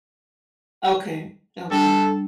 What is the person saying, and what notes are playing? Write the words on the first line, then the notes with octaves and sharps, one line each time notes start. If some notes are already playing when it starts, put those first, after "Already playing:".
Okay, okay.
G3 D4 A4